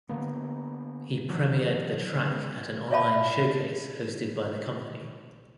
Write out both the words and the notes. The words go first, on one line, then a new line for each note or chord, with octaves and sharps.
He premiered the track at an online showcase hosted by the company.
D3 A#3 B3
E3 F#3
C#3 G#3 B3
C#5 D5 E5 F5 A5 B5